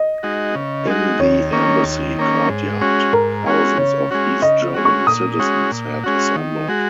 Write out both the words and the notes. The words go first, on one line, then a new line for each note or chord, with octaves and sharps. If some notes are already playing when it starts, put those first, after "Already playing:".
In the embassy courtyard thousands of East German citizens had assembled.
Already playing: D#5
G#3 D#4 F#4
C#3
G#3 D#4 F#4
D#2 C#5
D#3 A#3 C#4
D#2
D#3 A#3 C#4
G#2
G#3 C#4 F#4
G#2 A#4
G#3 C#4 F#4
C#3 C#5
G#3 C#4 F#4
C#3 D#5
G#3 C#4 F#4
C#6
A#2 D#6
G#3 C#4 F#4
A#2
G#3 C#4 F#4
D#3
G#3 F#4